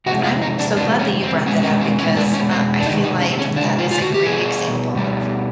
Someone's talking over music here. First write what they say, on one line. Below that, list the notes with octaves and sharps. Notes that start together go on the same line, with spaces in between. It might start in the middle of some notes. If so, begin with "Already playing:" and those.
I'm so glad that you brought that up because, uh, I feel like that is a great example,
C3 F3 G#3 F#4
F4
D#4
D4
C3 F3 G#3 D4
C#4
C4
B2 G#3 B3 C#4
C#4
C4
C#4
B2 G#3 B3 D4
C#4
C4
D4
C3 D#3 G#3 D#4
D#4
C#4
C4
C#4
C3 D#3 G#3 D4
F4
F4
F#4
G4
B2 G3 B3 G#4
B2 G3 B3